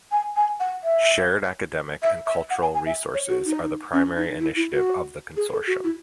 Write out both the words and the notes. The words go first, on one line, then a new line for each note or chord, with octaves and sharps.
Shared academic and cultural resources are the primary initiative of the consortium.
G#5
G#5
F#5
E5
E5
E5
F#5
G#5
G#5
E5
C#5
F#4
D#4
C#4
D#4
E4
E4
F#4
G#4
A4
F#4
E4